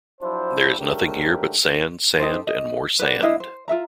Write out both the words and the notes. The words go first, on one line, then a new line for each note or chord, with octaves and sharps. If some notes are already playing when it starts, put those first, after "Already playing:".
There is nothing here but sand, sand, and more sand.
F3 F#3 D4 E4 C5
G#2 D3 F#3 A3 G4 A#4
D#4 G4 A4 C5
D#5
B4 D5 F#5
D4 E4 D#5 F5
C5
F4 A4 E5 A#5